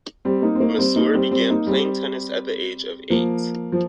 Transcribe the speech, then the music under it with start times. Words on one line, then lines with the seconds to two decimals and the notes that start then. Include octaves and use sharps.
Masur began playing tennis at the age of eight.
0.25 G3 C4
0.42 A#3 D#4
0.55 C4
0.60 A#3 D#4
0.78 G3 C4
0.96 A#3 D#4
1.14 G3 C4
1.31 G3 C4
1.50 A#3 D#4
1.67 G3 C4
3.10 F3 A#3
3.72 F3